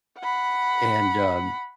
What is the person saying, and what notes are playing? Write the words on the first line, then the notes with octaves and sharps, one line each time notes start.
and, um,
F#5 B5